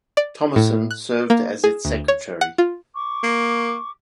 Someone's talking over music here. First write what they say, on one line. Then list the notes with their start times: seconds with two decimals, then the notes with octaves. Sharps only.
Tomasson served as its secretary.
0.17 D5
0.56 A2
0.91 F#6
1.30 A#3
1.64 G#4
1.85 D2
2.08 C#5
2.41 F#5
2.58 F4
2.95 C#6 D6
3.23 A#3